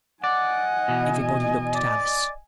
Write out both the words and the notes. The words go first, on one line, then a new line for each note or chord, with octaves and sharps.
Everybody looked at Alice.
D5 D#5 F#5 G#5
B2 E3
D5